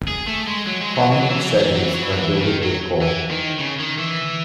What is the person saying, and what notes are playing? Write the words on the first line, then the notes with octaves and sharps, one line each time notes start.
Prominent zedis are gilded with gold.
G#4
A3
G#3
F#3
G#3
F#3
E3
F#3
E3
F#3
E3
F#3
E3
F#3
E3
F#3
E3
F#3
E3
C#3
D#3
F#3
E3
D#3
C#3
D#3
E3